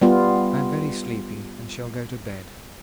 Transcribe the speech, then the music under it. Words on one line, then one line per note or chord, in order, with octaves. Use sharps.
I am very sleepy and shall go to bed....
G3 B3 F4